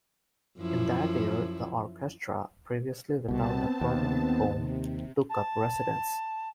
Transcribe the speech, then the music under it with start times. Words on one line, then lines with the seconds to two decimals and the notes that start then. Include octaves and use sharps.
In that year the orchestra, previously without a permanent home, took up residence.
0.58 F#2 F3 E4
3.28 C2 B2 B3 C4 A5
3.81 D#2
4.52 C3
5.30 A5